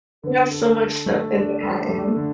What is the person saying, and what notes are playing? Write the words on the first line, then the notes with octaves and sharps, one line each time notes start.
they have so much stuff in Manhattan.
D3
A4
A4
A3
D4
A4
A3
D3